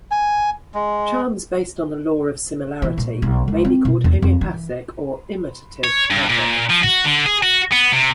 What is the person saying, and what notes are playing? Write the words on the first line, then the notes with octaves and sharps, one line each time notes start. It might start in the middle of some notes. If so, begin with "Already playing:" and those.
Charms based on the Law of Similarity may be called homeopathic or imitative magic.
G#5
G#3
E3
A#2
B1
C#2
C4
B2
E2
F2
E3
C#5
G2
A#2
F3
F#4
D3
G#4
F#4
B3
C3